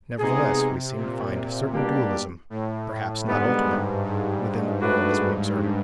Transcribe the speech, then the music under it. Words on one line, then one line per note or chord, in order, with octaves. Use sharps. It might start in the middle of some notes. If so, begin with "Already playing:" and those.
Nevertheless, we seem to find a certain dualism, perhaps not ultimate, within the world as we observe it.
C3 G#3 B3 D#4 G#4
A#2
B2 G3 A#3 D4 G4
A2
G#2 D3 G3 B3
G2
G#2
A3 D4 F#4 B4